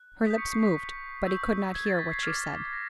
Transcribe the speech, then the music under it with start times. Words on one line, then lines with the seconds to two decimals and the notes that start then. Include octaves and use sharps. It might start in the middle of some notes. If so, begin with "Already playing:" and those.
Her lips moved, but he could not hear what she said.
Already playing: F#6
0.26 D#6 G6 B6
0.38 C#6 C#7
0.51 C7
0.63 B6
1.25 C#6 E6 G6
1.75 G#6
1.86 A6
1.99 B6
2.12 C7
2.23 D6 F6
2.73 A#6